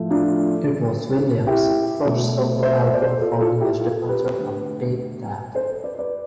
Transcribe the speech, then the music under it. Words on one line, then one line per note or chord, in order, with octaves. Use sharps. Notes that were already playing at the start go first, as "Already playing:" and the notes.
It was Williams' first solo album following his departure from Take That.
Already playing: A2 F3 A3
D4 F4
E4 G4
B2 A3
C5 E5
C5 E5
D5
A4 C5
F4 A4
F4 A4
E4 G4
F4 A4
G4 B4
D3 A3
A4 C5
B4 D5
B4 D5